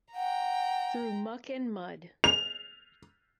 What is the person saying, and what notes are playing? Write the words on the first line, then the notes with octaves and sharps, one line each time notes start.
Through muck and mud.
F#5 G5 A#5
F7